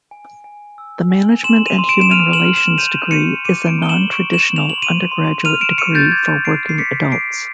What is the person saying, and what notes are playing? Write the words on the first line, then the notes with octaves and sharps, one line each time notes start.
The management and human relations degree is a non-traditional undergraduate degree for working adults.
G#5
G#5
E6
G#5
C6 E7 F#7
D#7 F7
C6
D7 E7
E7
F6 D#7 F7
E7 F#7
F6
E7 F#7
G6 D#7 F7
C#6 C#7 D#7
D6 C#7 D#7
D7 E7
B5 G7
E7 F#7
C#6 D7 E7
E7 F#7
C#6
F7
F#7
C6 D#7 F7
C6
F6 D#7 F7
D7 E7
C#6 C#7 D#7
G6 A6
D6 G#6
G6 C7 D7
C7
D6 B6 C#7
D6 C7 D7